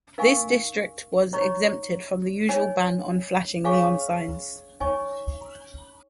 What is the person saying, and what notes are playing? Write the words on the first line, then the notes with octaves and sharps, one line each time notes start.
This district was exempted from the usual ban on flashing neon signs.
D#4 A#4 F5 G#5 C#6
D#4 C#5 A#5 C#6
D#4 C#5 G#5
G#4 C#5 F5 G#5 C#6
D#4 C#5 G#5 C#6